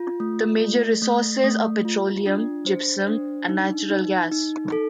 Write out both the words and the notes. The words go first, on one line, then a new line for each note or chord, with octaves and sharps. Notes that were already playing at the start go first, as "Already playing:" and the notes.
The major resources are petroleum, gypsum and natural gas.
Already playing: F4
A3
A3
A3
A3
F4
D4
C5
D4
D#4
D#4
D#4
A4